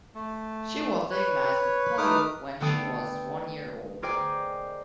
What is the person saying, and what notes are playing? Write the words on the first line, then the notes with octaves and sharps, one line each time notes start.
She was diagnosed with polio when she was one year old.
A3
B4 C#5
A3 D#4 B4 D6 D#6 F6
D3 A3 B3 G5 D#6 D7
G#4 A#4 C5 D5 D#5 G5